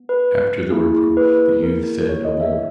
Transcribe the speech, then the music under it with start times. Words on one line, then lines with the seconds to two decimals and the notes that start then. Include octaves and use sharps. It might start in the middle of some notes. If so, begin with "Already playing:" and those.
After the reproof the youth said no more.
Already playing: B3
0.09 B4
0.70 A#3 E4 G#4
1.17 B4
1.63 A#4
2.09 C#5
2.25 D#5
2.41 E5